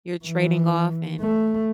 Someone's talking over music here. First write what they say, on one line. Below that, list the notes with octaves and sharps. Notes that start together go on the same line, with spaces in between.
you're trading off and
E3
A3